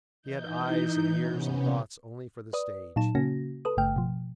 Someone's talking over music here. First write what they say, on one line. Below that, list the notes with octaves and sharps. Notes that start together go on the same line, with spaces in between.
He had eyes and ears and thoughts only for the stage.
E3 D#4 G6
C3 B3 C#4
B4 D5 D#6
A#2 F#3 D#4 A5 E7
C#3 A#3 C#4 F#4 A#6
A4 B4 D#6
G1 G2 C#3 A3 G5 F6
B2 F3